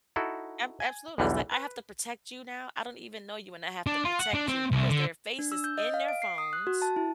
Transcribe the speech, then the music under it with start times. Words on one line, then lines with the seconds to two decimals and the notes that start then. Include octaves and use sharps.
Ab absolutely, it's like, "I have to protect you now, I don't even know you, and I have to protect you because their faces in their phones"
0.16 D#4 E4 F#4 A4
0.80 G#5
1.18 B1 E2 D3 E3 G3
1.52 B4
3.87 D4
4.05 F4
4.19 F#5
4.34 D4
4.48 C4
4.72 C2
4.89 D3
5.39 D4
5.52 E6
5.64 G6
5.78 D#5
5.94 F5
6.08 D7
6.22 C7
6.38 D#6
6.53 F#6
6.67 F#4
6.82 A5
6.96 E4